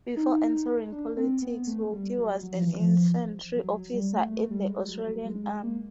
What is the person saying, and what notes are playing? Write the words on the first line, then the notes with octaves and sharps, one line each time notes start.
Before entering politics Wilkie was an infantry officer in the Australian Army.
D#4
D4
C4
B3
A3
G3
F#3
F#3
F3
E3
F3
F#3
G3
A3
A3
G3
G#3
F#3
F#3
G#3
G#3
A#3